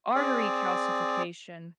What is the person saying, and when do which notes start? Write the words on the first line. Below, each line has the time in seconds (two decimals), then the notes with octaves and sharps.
artery calcification.
0.15 C4 G#4 D5